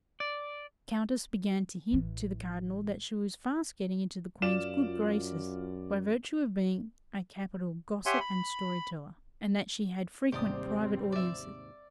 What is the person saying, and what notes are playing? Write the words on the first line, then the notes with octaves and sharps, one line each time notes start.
The countess began to hint to the cardinal that she was fast getting into the Queen's good graces, by virtue of being a capital gossip and story-teller; and that she had frequent private audiences.
D5
A1 E3
F#2 F4 D5 E7
G4 C#5 E5 F#5 G#5 C6
B5
D#2 G#2 C3 G3 C4 G4 D5 D#6
D5 E5